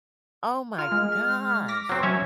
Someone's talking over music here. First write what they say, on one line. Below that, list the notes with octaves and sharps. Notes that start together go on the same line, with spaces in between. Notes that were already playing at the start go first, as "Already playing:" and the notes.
Oh my gosh.
F4 A#4 F6
G#3
D6 A#6 B6
F#3 C4
F#3 C#4 C#5 E5 G#6